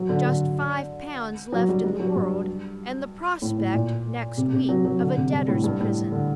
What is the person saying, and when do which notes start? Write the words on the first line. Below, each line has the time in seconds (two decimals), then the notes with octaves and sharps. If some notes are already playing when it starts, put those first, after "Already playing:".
Just five pounds left in the world--and the prospect next week of a debtor's prison.
Already playing: F#3
0.09 D3
0.26 D3
1.53 F#3
1.69 G3
1.84 G3
2.00 F#3
2.16 G2
3.42 A2
3.58 A2
3.74 A#2
4.37 C3
4.53 C3
4.69 F#3
4.85 F#3
5.01 D3
5.17 C3
5.32 G2
5.48 A2
5.64 G2
5.80 A2
6.12 D3